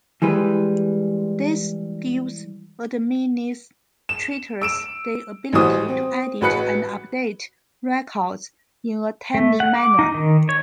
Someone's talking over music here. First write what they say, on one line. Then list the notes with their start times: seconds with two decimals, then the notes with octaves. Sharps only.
This gives administrators the ability to edit and update records in a timely manner.
0.22 E3 G3 G#3 B4
4.09 E7
4.62 E6 D7 E7
5.53 A1 E3 G3 F#4 C5 D#6
5.88 C4
6.41 A1 F#4 B4 B5 F#6 C#7
9.34 A3
9.60 F#5
9.75 D6
9.99 D#4
10.14 D#3
10.49 C#5